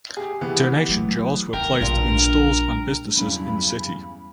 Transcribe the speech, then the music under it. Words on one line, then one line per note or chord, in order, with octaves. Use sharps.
Donation jars were placed in stores and businesses in the city.
G4 G#4
C3 E3 B3
F#3 A3
D#3 A#4 G5
A#1 G2 D4 F4
E2 G2 C#3 F#3 G3 C#4 B5